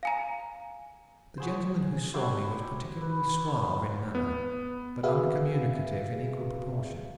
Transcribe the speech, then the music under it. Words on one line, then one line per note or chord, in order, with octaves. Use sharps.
The gentleman who saw me was particularly suave in manner, but uncommunicative in equal proportion.
F5 G#5 A#5
F#4 G#4 C5
E4 F#4 G4 C5
B4
B3
F#4 G#4 B4 E5 F5